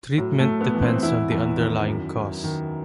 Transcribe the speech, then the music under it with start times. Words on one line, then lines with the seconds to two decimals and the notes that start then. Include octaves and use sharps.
Treatment depends on the underlying cause.
0.18 A2 F#3
0.39 A3
0.46 A2
0.61 B3
0.75 E3
0.82 C4
1.03 E2 E4
1.31 E2
1.60 D#3
1.88 F#2
2.15 F#2
2.44 D#3